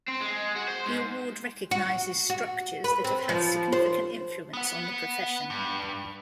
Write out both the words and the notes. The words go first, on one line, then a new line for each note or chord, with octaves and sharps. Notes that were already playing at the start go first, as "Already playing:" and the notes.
The award recognizes structures that have had significant influence on the profession.
C4
G#3
F#4
C5
G#2
F#4
F#4
B4
C4
F3
C5
B3 F#5
G2